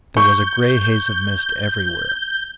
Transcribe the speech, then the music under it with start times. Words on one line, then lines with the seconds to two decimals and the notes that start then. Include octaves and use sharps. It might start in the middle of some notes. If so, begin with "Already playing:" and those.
There was a gray haze of mist everywhere.
0.17 C#6 G6